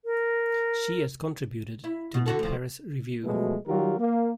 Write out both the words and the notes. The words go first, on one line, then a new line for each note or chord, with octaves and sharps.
She has contributed to "The Paris Review".
A#4
E4
B2
D3 F#4 A4
D2 F3
B2 F3 F#3 G#3 A3
D#3 F#3 G3 F4 G4 A#4
A#3